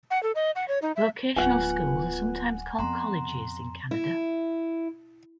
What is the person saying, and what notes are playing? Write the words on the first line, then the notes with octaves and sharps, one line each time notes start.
Vocational schools are sometimes called "colleges" in Canada.
F#5
A4
D#5
F#5
C#5
D#4
E5
D1 F#3 B3 F4 B4 F#5 G#5
F2 B3 A#5 C6
E4